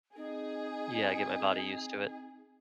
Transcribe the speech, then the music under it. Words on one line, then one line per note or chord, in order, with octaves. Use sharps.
Yeah. I get my body used to it.
C4 D#4 G#4